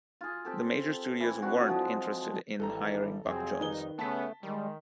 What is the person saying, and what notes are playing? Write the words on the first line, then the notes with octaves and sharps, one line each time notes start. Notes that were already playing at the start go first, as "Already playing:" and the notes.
The major studios weren't interested in hiring Buck Jones.
F4 G#4
C4 G4 A4
E3 E4
C4 D4 F#4
F3 F#3 G#3
G#1 D#3 E3 G3 A4 A#5
F2 C3 F#3 C4 G#4
D#3 G3 D#4 B4 G7
C#3 A3 B3 C#4 A5 B6
D#3 G3 G#3